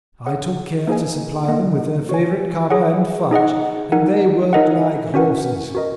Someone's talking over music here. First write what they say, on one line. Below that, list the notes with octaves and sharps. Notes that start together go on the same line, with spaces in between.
I took care to supply them with their favourite kava and fudge, and they worked like horses.
G#4 C#5 F#5
A#3 D#4 G#4 D#5 G#5
A#3 D#4 A#4 D#5 F#5
F#4 C#5 G#5
G#4 C#5 F#5
D#4 G#4 D#5 F#5
D#4 A#4 F#5
D#4 A#4 D#5 F#5
C#4 F#4 A#4 F#5
F#4 A#4 D#5